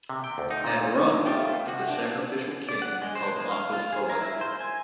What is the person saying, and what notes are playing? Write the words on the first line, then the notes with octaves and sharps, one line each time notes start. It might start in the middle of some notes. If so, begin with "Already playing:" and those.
At Rome, the Sacrificial King held office for life.
C3
G5
D2
D#4
A#2
A3 B3 C4 F4 G4 A4
C3 F#4
D4
D5
F#5
G#3
C5
G#3
F5
F4
G#4
A#4
E4
C5
G#5